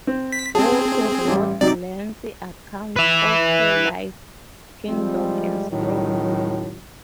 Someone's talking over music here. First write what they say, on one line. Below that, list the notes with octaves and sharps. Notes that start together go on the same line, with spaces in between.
Both wrote lengthy accounts of her life, kingdom, and strong will.
C4
B6
C4 G#4 A5
A1 G3
C3 F#3 D#4 D5
B4 E5
F3 G3 G#3 C4
C#2 A2 D#3 F#3